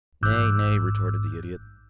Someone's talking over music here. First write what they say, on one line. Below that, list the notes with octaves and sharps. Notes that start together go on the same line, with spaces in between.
"Nay, nay," retorted the Idiot.
A1 G#2 D6 E6 F#6 G6